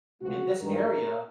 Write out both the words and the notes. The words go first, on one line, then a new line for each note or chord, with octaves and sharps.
in this area
C#2 C3 F3 A3 F#4
G2 D#3 G#3 A#4